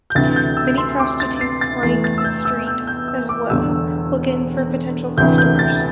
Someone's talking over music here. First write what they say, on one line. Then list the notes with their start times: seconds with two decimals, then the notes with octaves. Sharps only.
Many prostitutes lined the street as well, looking for potential customers.
0.10 G6
0.15 D2 C3 E3 A6
0.36 G6
0.57 E6
0.78 C6
0.99 D6
1.20 A6
1.41 C7
1.61 A6
1.83 E2 E3 A3 C7
2.04 A6
2.18 E6
2.24 G6
2.45 E6
2.67 G6
2.87 G6
3.08 E6
3.29 D6
3.50 E1 E2 D3 G3 E6
5.17 E1 D2 C3 E3 G6
5.38 G6
5.59 A6